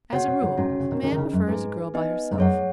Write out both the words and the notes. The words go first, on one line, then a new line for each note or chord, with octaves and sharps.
As a rule, a man prefers a girl by herself.
C#3 F#4 C#5 F#5
B2
G#2
G#2 C#4 F#4 C#5
C#3
C#3
B2 D#3
B2 D#3 C#4 G#4 D#5
D#3
C#3
F#2
G#2 G#4 B4 G#5
B3 D#4 B4 D#5 G#5
G#2
F#2 G#4 C#5 F#5